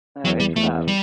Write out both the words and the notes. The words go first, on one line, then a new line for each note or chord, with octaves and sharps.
No, it's them.
E2 F#3
G3
E2 A3
G3